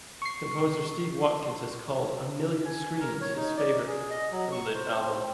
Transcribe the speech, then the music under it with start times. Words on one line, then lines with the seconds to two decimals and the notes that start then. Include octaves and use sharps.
Composer Steve Watkins has called "A Million Screens" his favorite from the album.
0.22 C#6 C7
2.65 G#5
3.01 A#4
3.21 C#5
3.37 D#4
3.57 D5
3.87 G#4
4.10 D#5
4.32 F#3
4.52 C#6
4.74 C5
4.98 C4